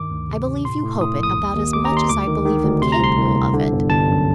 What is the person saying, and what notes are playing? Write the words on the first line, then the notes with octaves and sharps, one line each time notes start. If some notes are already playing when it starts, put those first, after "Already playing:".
"I believe you hope it about as much as I believe him capable of it."
Already playing: G2 D#3 D6
D2
C3
C3
A2 C6
A2
A2 D#6
A#1 D#6
D#2
D#2
D#2 D6
A#5
D#2
C6
D2 D6
D#3
D#3
D2
C3 C6
A#5
C2 C6
C2
C2
D3
G1
G1 A5
F#2